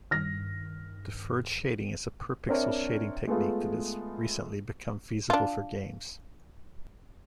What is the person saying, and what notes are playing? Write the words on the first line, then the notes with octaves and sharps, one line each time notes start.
Deferred shading is a per-pixel shading technique that has recently become feasible for games.
G2 D#3 F6 A#6
C4 D4 A#4 C#5 E5
G#3 A3 B3 F4
D4 F4